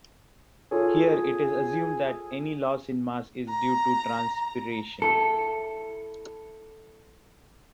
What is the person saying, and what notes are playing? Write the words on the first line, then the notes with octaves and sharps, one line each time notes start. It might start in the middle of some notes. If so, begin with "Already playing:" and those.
Here it is assumed that any loss in mass is due to transpiration.
F4 G#4 A4 C#5
A#5
E4 A4